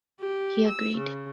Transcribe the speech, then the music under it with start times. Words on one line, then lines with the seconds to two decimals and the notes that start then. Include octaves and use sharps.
He agreed.
0.20 G4
0.67 E6
0.97 C#3